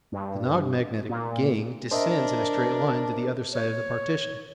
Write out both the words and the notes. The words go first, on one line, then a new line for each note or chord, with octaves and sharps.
The non-magnetic gangue descends in a straight line to the other side of the partition.
G2
A#2
D4 A#4 C5 D#5 E5
C#5